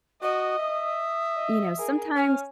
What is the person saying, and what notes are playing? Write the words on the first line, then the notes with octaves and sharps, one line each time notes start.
you know, sometimes
F#4 D#5 D#6
E5
D#5
G#4 A#4
C#4 F6